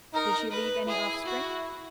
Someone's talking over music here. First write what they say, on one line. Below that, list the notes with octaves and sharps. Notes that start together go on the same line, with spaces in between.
"Did she leave any offspring?"
D#4 A#4
B4
E4 G#4
F#4